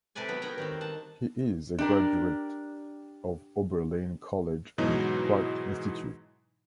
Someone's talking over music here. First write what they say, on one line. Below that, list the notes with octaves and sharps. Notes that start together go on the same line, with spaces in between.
He is a graduate of Oberlin College and Pratt Institute.
C3 A4 B4 D5 G#5
F#3 G3 B3
B3 D#4 A#4 C#5 G5 A#5
D#3 G3 C4
F#5 A5
D4 G4 A#4
G#2 B2 E3 F#3 D#4